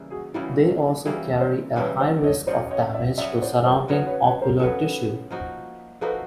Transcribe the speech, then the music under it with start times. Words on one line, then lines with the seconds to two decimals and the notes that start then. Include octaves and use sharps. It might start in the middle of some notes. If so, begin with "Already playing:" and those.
They also carry a high risk of damage to surrounding ocular tissue.
Already playing: C#3 E3 G3 A#3
0.10 F#4 G#4
0.34 C#3 E3 G3 A#3 E4 F#4
1.05 C#3 E3 G3 A#3 F#4 G#4
1.41 C5 D5
1.76 C#3 E3 G3 A#3 B4 C#5
2.00 C5 D5
2.24 C#5 D#5
2.47 C#3 F#3 B3 C5 D5
2.70 C#5 D#5
2.94 D5 E5
3.18 C#3 F#3 B3 D5 E5
3.42 C5 D5
3.65 A#4 C5
3.88 C#3 F#3 B3 B4 C#5
4.06 B4 C#5
4.24 B4 C#5
4.42 A#4 C5
4.59 C#3 F#3 B3 A4 B4
5.31 F3 A#3 D#4 F#4
6.01 F3 A#3 D#4 F#4 A4 B4